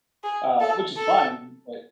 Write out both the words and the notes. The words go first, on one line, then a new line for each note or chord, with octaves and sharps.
uh, which is fine, but
G#4
A4
A4